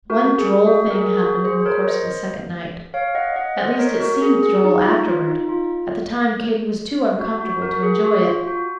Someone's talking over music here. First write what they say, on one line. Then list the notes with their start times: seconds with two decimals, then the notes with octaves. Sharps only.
One droll thing happened in the course of the second night,--at least it seemed droll afterward; at the time Katy was too uncomfortable to enjoy it.
0.10 F#4 A#4
0.38 G#4
0.66 F#4
0.90 A#4
0.95 G#4
1.23 F#4
1.44 G#4 C5
1.65 A#4 C#5
1.87 C5 D#5
2.94 C#5 F5
3.15 D#5 F#5
3.36 D#5 F#5
3.58 C5 D#5
3.79 A#4 C#5
4.00 F#4 A#4
4.22 G#4
4.43 G#4
4.64 D#4
4.85 F4
5.07 F4
5.28 D#4
5.49 F4
7.19 F#4
7.41 F#4
7.62 F#4 A#4
7.83 G#4
8.05 F#4
8.26 F4
8.47 F#4